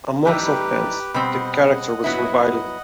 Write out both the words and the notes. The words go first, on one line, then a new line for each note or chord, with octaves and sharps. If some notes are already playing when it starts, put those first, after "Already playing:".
Among some fans, the character was reviled.
A2 E3 G3 D#4 G4 B4
B2 G3 C4 D#5 F#5
G2 F#3 B3 E4